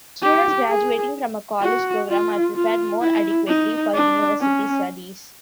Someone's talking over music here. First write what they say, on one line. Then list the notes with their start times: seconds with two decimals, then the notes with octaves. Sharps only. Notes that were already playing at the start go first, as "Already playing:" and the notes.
Students graduating from a college program are prepared more adequately for university studies.
0.22 G4
0.69 G#4
1.61 F#4
2.09 F4
2.55 F4
3.01 E4
3.48 D#4
3.94 D4
4.41 C#4